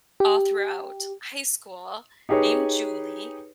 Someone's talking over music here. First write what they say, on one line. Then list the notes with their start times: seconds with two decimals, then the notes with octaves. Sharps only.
all throughout high school named Julie,
0.20 G4
2.29 D#4 G4 G#4 B4 C#5